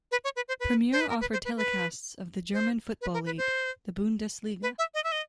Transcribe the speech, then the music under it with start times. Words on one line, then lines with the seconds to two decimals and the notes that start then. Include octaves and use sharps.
Premiere offered telecasts of the German football league - the Bundesliga.
0.12 B4
0.24 C#5
0.36 B4
0.48 C5
0.60 B4
0.92 C5
1.01 B4
1.09 A#4
1.21 B4
1.33 C5
1.45 B4
1.57 B4
2.53 C5
3.01 B4
3.14 A#4
3.26 B4
3.38 C5
4.63 B4
4.79 E5
4.94 D#5
5.04 E5
5.12 D#5